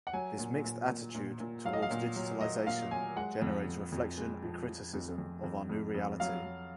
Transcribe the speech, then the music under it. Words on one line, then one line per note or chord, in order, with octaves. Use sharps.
This mixed attitude towards digitalization generates reflection and criticism of our new reality.
F#5
F#3 G#5
A#2
A#2
A#2
A#2
A#2
F#3 F5
D#5
F5
A#2
F#3
F#3 D#5
A#2 F5
F#3 G#5
G#3 F#5
F2
F2
F2
G#3
F3
F3
F2
F2
F2
F2
F2
F#3 F5
F#3